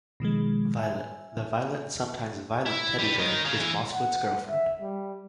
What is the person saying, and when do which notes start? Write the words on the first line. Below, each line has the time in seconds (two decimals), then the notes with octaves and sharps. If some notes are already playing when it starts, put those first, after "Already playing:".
Violet, the violet and sometimes "violent" teddy bear, is Mossfoot's girlfriend.
0.20 B2 D#3 F3 G#3
0.79 E5 G#5
2.66 E4
2.99 G3 B4
3.19 A#4 D#5
3.45 G#4 F5
3.60 E3 E4
3.93 F#5
4.48 E5
4.81 G3